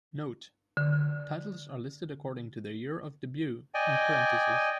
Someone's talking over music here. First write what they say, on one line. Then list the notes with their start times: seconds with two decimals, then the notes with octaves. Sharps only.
"Note": Titles are listed according to their year of debut in parentheses.
0.77 D3
3.74 D5 D#5 G5 G#5